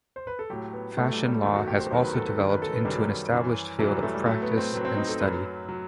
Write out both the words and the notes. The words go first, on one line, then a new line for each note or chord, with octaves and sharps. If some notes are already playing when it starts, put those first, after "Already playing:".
Fashion law has also developed into an established field of practice and study.
C5
B4
A4
A2 F#3 G4
B3
A2 F#3 A3
G3
G3
E2 D#3 F#3 A3
F#4
G4
C5
E2 D#3 F#3 C5
B4
A4
B4
F#2 D#3 F#3
B4
A4
B3
F#2 D#3 F#3 G3
F#2 E3
F#2 E3 F#3
G3
A3
G3
A2 F#3 A3
B3
C4
A2 F#3 B3
C4
D#4
A4
F#2 F#3 B4
F#3